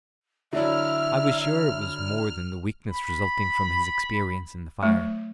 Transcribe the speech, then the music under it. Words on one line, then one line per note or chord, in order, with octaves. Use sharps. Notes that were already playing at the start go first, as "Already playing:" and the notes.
I was sure it was more than the weakness resulting from his experience in the fire.
D3 F#3 D4 E4 E5 F6
B5
F#3 A3